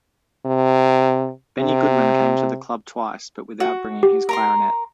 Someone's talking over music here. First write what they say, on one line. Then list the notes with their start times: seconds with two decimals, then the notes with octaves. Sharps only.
Benny Goodman came to the club twice, but without bringing his clarinet.
0.46 C3
1.59 C3
3.60 F#4
4.03 G4
4.29 A#4 A#5 C6